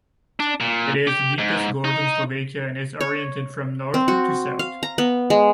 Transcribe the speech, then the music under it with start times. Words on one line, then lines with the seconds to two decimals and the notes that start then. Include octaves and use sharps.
It is the deepest gorge in Slovakia and is oriented from north to south.
0.40 D4
0.60 A#2
1.07 G4
1.38 G#2
1.84 D#4
3.01 C#5
3.94 C4
4.08 F#4
4.59 F5
4.83 A#5
4.98 B3
5.30 G#3